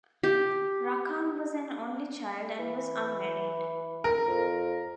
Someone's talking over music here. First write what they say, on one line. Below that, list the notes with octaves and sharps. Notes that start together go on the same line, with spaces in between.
Rackham was an only child, and was unmarried.
G4
E3
A#4
F2